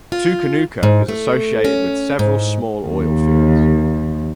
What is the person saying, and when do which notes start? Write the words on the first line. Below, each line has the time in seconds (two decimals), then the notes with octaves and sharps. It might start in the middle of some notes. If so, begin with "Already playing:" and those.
Tookoonooka is associated with several small oil fields.
0.12 F4
0.83 G#2
1.09 A3
1.65 C#4
2.19 G#2
2.86 D#2